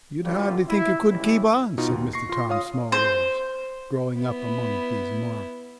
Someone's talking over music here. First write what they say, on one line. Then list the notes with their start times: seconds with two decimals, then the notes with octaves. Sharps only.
"You'd hardly think it could keep on," said Mr. Tom Smallways, growing up among these marvels.
0.23 A1 D3 F#3 G3 F4
0.69 E4
1.07 C#2 A2 E3 G3 E4
1.78 B2 D#4 F4
1.92 D#2
2.13 C#6 A#6 C7
2.29 F4 C6
2.49 F4 C#5 F5 D#6
2.92 C5
4.17 B3 E4